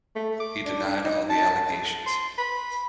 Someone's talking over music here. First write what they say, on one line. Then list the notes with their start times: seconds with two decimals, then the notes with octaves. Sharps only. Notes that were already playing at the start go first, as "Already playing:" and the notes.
He denied all the allegations.
0.16 A3
0.40 D6
0.66 D4
0.86 D4
1.05 D#4
1.30 A5
2.06 C6
2.38 B5